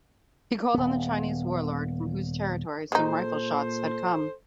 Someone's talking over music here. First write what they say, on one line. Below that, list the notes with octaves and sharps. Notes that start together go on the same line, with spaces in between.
He called on the Chinese warlord from whose territory some rifle shots had come.
D#1 B3
A#2 G#3 D#4 A4 C5